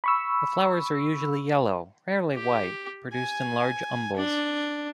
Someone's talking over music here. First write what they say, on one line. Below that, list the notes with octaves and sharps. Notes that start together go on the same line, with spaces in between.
The flowers are usually yellow, rarely white, produced in large umbels.
B5 C#6 E6
G4
G#5
D4